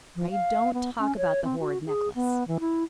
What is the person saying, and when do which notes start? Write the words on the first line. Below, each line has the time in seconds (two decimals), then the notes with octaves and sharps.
"Pray don't talk about the horrid necklace."
0.16 F3
0.31 F5
0.74 B3
0.99 C#4
1.17 C#5
1.44 C4
1.60 F#4
1.86 G#4
2.15 B3
2.48 E3
2.60 E4